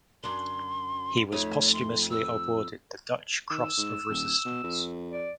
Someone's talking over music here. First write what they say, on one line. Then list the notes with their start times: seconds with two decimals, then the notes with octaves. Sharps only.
He was posthumously awarded the Dutch Cross of Resistance.
0.24 F#2 D4 C6
1.32 F2 A3 D#4 C#5
1.73 C6
2.11 E6
3.50 D#3 E6
3.77 G#2
4.09 D#1
4.45 B2
4.64 F2
5.12 D5